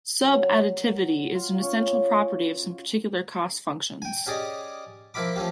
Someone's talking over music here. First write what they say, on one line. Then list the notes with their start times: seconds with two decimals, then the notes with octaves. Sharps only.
Subadditivity is an essential property of some particular cost functions.
0.23 F#3
1.35 F4
1.58 C#4 C#5
4.02 G5 G#5
4.26 C#4 G4 G#4 D5 D#5
5.14 F3 A#3 F4 E5 B5 D6
5.36 F3 A3 C#4 G4